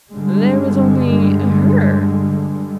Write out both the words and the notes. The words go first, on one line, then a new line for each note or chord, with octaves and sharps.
"There was only HER."
G2 D3 G3 G#3